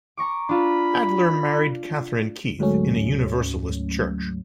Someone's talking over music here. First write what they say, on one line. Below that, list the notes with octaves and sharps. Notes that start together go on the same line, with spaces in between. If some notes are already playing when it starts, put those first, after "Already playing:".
Adler married Katherine Keith in a Universalist church.
A#5 C#6 D6
D4 F4 B5
D2 G#2 F#3 A3 C#4